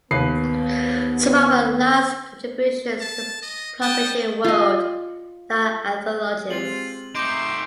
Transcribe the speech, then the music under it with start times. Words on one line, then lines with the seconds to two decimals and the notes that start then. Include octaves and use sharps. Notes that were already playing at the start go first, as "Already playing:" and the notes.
Some of her last contributions to the publishing world are her anthologies.
0.11 D#2 B3 B4 C7
3.01 A5
3.42 D#5
3.82 G5 A5 D#6
4.44 F4 D#5
6.50 G#3 C4 F4 G4 F#7
7.15 A3 D#4 C6 D6 G6 D7